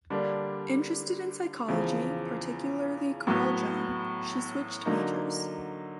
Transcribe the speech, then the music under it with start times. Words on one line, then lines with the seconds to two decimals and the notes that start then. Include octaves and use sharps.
Interested in psychology, particularly Carl Jung, she switched majors.
0.10 D3 G3 A#3 D4
1.68 E2 C#3 F3
3.27 A2 F#3 B3
4.85 D3 F#3 A#3 D#4